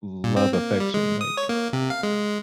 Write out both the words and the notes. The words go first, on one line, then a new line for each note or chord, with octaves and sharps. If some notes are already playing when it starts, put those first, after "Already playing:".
love affection, like
A#2
C4
A#3
G3
G#3
D#6
C#5
A#3
C3
F5
G#3